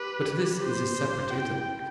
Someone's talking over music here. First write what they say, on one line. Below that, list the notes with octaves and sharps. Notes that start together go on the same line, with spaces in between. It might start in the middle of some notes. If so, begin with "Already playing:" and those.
But this is a separate intellect.
Already playing: G4 B4
C5
E4 G5